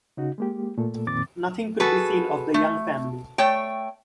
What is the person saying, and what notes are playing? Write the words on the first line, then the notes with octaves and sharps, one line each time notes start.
Nothing could be seen of the young family.
C#3 D#4 F#4
G#3 A#3 G4
A#2 A3 A4
F2 A#2 D#3 C4 D6 A6
F#4 G#4 A4 B4
A3
A3 C#5 G5